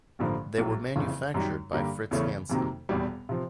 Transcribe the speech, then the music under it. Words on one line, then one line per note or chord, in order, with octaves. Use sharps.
They were manufactured by Fritz Hansen.
A1 G2 D3 F3 A#3
A#1 A2 F#3
F#1 F2 C#3 E3
F#2 D#3 G3
G2 D3 G3 A#3
E2 C#3 E3 A3 C#4
F2 C3 D#3 F#3 A#3
E1 E2 B2 G3
C3 F3